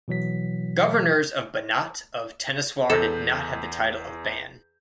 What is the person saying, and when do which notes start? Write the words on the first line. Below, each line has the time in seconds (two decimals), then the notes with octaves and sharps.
Governors of Banat of Temeswar did not have the title of "ban".
0.08 B2 E3 F#3 B6
2.90 E2 A4 G6